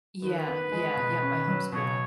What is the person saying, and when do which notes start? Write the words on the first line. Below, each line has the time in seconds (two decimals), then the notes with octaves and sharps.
Yeah, yeah yep, I homeschool.
0.22 D#3 B4
0.47 B3
0.72 G#3
0.97 B2
1.22 C#4
1.48 F#3
1.72 B2 C#5